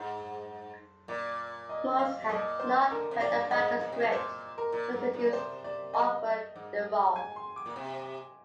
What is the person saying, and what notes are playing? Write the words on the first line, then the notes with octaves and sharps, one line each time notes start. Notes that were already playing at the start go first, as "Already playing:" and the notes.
Morse had not heard about the script until he was offered the role.
Already playing: G#2 C5
A#2 D5
D#5
F5
C3
A#2 D#5
C5
D3 A#4
C3
D5
G2
G#2 D#5
A#2
C3
A#2
C5
A#4
A#2
G#2
A#2
D5
C3 C5
D5
D#5
G#2
G#5
C6
D6
A#2
C3